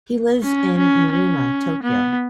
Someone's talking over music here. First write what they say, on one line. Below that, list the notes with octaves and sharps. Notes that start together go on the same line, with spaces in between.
He lives in Nerima, Tokyo.
C#4
C#4
C#4
B3